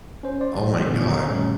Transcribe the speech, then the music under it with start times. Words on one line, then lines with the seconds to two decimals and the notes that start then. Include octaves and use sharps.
Oh my gosh.
0.23 C#4 C5
0.41 D5 C6
0.85 A#2 D3 D#3 B3
1.09 A#5
1.27 F#2 A#2 G3 A3 C#4